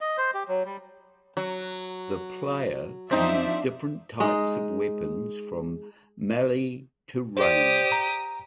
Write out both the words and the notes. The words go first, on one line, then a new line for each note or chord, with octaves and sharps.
The player can use different types of weapons from melee to ranged.
D#5
C5
G4
F#3
G3
F#3
F3 C4 D4 D#4 E5
G#3 D#4
G4 C5 D5 D#6
A#5